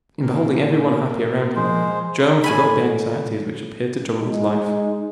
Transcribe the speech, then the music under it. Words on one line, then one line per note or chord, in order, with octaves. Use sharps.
In beholding every one happy around him, Joam forgot the anxieties which appeared to trouble his life.
A#2
F3 G#3 C5
A2 G#5 B5
G#3 D#4